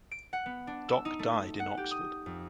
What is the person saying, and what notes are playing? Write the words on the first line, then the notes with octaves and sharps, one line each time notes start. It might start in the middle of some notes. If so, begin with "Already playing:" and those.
Dock died in Oxford.
D7
F#5
B3
D4
E6
D#4
A3
F#5
G4
D#6
F2